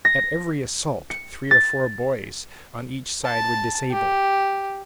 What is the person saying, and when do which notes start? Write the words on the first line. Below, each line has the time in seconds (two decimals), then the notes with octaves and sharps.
At every assault three or four boys on each side were disabled.
0.05 A#6
1.10 C#7
1.51 A6
3.25 A5
3.91 G4